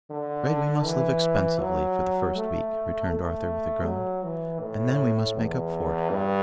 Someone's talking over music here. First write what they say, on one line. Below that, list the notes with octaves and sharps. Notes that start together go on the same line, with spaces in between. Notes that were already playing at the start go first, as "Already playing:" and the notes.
'I am afraid we must live expensively for the first week,' returned Arthur, with a groan, 'and then we must make up for it.
D3
E3
F#3
A3
A3
F#3
E3
A2
E2
G2